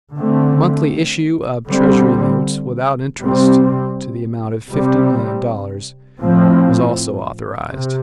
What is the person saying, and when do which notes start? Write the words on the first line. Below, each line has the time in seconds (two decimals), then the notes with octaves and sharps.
A monthly issue of Treasury notes, without interest, to the amount of fifty million dollars, was also authorized.
0.16 D3 A3 C4
1.67 D3 G3 C4
3.18 C3 G3 C4
4.69 C3 G3 C4
6.20 A2 F3 C4
7.71 C3